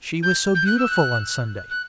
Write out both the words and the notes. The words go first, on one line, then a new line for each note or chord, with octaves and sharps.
She was so beautiful on Sunday.
G6
G6
F#6
E6
F#6
F#6